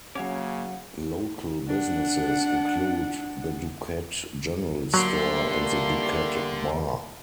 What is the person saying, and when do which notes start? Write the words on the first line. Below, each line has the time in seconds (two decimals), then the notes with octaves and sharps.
Local businesses include the Duquette General Store and the Duquette Bar.
0.15 C#3 F#3 A#3 C#4 C#5 F#5 D6
1.68 D4 F#5
4.94 D3 F#3 G3 A3 A#3 C6